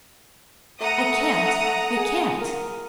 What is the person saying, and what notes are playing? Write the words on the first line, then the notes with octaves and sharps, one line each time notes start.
"I can't--I can't!"
A3 F#5 A#5 D#6
G#4
A#4